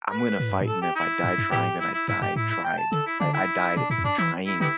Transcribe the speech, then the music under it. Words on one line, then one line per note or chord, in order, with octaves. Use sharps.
"I'm gonna fight, and if I die trying, then I die tried I I died trying."
B4
A2
G2
A2
A4
G4
E4
G2
G2
A2 B3 E4 G4
E4
E4
G2 E4
G2 G4
A2 E4
E4
G5
A5
D3 A4
E4
D3 D4
E4
B2 D4
A2 E4
E2
G2 D4
E3 E4
E4
D3 G3 B3 E4